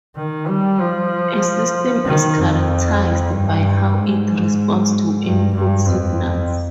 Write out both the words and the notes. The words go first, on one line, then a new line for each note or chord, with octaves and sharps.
A system is characterized by how it responds to input signals.
D#3
G3
F3
D#3
F2
G2
G#2
G2
G2
F2